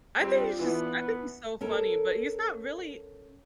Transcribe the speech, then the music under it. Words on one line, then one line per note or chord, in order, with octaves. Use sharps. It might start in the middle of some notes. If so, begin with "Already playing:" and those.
I think he's just I think he's so funny but he's not really
G3 C4 D4 F4 G#4
E3 B3
C#4 A4 A#4